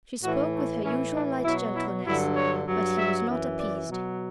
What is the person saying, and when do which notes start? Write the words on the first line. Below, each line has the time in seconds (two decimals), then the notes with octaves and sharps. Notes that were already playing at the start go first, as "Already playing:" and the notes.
She spoke with her usual light gentleness, but he was not appeased.
0.23 A2 E3 F#4
0.54 A3
0.84 A2 E3 C#4
1.14 D4
1.44 B2 F#3 E4
1.75 E4
2.05 G2 D3 F#3 E4
2.35 C#5
2.66 G2 F#3
2.96 E5
3.27 F#2 E3
3.57 D5
3.87 B2 F#3